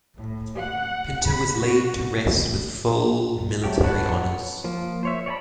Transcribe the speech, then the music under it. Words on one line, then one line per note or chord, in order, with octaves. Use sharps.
Pinto was laid to rest with full military honours.
A2
F#5
B5
F#4
A2
F#3 A3 C4 G4
B4 C#5 F#5 A5 F#6
F3 A#3
C5 C#5 E5
C#5 D5 G#5 A5 B5